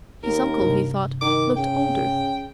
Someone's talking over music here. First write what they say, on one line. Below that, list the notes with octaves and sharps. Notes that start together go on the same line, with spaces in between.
His uncle, he thought, looked older.
D#2 A#4
G2 C3
D#3 D6
C#3 G5